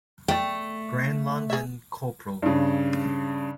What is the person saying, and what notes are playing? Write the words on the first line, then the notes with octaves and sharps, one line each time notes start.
Granlund and Cpl.
A3 D5 G5
G#4 E5
G2 C#3